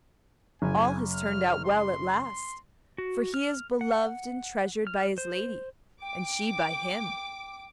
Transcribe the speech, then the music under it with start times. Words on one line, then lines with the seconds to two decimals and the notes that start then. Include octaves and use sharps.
All has turned out well at last; for he is beloved and treasured by his lady, and she by him.
0.62 F#1 G#5
1.13 F6
1.64 C6
2.23 C6
2.98 F#4
3.34 F6
3.81 F#5
4.87 F6
5.18 C5
6.02 G5 D6